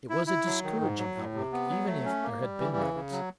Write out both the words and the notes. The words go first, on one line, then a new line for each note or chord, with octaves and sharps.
It was a discouraging outlook, even if there had been roads.
E4
E4
F#3
D#3
G#2
F#3
A2
C3
B3
F#3
A3
C#4
A#3
G3
E3
C#3
C#3
F#3